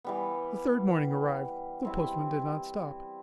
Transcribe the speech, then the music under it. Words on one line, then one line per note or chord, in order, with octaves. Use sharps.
The third morning arrived; the postman did not stop.
E3 G3 B3
G3 C4 E4